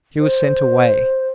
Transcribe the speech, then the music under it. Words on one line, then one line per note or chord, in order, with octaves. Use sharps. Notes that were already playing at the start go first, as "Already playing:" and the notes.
She was sent away.
C5